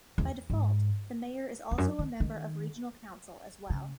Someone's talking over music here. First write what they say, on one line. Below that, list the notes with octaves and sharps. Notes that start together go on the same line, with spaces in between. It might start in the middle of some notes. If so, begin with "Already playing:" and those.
By default the mayor is also a member of Regional Council as well.
E2
G#2
E2
F#2
D#3
D#3
C#3